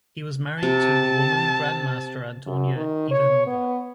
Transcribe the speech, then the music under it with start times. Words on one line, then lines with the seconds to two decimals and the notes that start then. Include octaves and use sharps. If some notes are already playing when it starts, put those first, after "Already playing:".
He was married to the Woman Grandmaster Antonia Ivanova.
0.63 C3 A5
2.46 F#2
2.76 D#3
3.11 C#5
3.46 B3